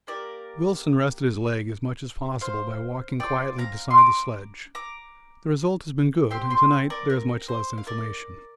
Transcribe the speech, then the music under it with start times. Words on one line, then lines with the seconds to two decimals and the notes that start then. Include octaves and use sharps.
Wilson rested his leg as much as possible by walking quietly beside the sledge; the result has been good, and to-night there is much less inflammation.
0.07 A#3 G4 A#4 D5
2.41 C5 F5
3.20 C4 F4 D5 G5
3.58 F5 A#5
3.91 C6
3.98 A#5 D6
4.75 A#5 D6
6.31 C4 G4 G5 C6
6.50 G5 C6
6.90 A#4 D5
7.10 A#4
7.48 C5
7.78 F5
7.87 A#4 D5